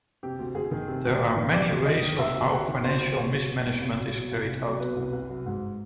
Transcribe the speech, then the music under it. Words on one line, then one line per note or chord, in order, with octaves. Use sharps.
There are many ways of how financial mismanagement is carried out.
C3 G4
D2
D2 G#4
D#3
C3
D2
D2
D#3
C3 D5
D2
D2 D#5
D#3
C3 E5
D2
D2 F#5
D#3
B2 C5
C2
C2 C#5
F#3
B2
C2
C2
F#3
B2
C2
C2
F#3
B2 B4
C2
C2
F#3
G#2